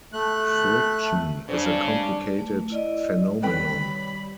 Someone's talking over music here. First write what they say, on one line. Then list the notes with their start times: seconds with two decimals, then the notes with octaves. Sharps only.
Friction is a complicated phenomenon.
0.13 A3 F#6
1.49 G2 C#3 C4 D4
2.39 A3
2.70 E4 D5 D#5
3.43 C3 D#3 G3 A4 B4 C#5 G5 B5